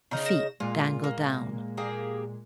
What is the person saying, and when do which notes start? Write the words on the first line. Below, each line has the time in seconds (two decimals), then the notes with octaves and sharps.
The feet dangled down.
0.11 C#3 D#4 A#4
0.26 A#6 E7
0.60 A#2 G#3 F4
1.04 A#3
1.77 A#3 G4 G#4